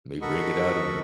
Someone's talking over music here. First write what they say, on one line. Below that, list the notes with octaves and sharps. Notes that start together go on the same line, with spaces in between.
they bring it out of you.
F#4 A4 A#4 D#5 B5 C#6